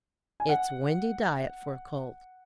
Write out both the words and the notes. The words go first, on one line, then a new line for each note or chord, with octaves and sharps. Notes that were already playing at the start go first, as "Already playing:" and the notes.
It's windy diet for a colt.'
G#5
F#5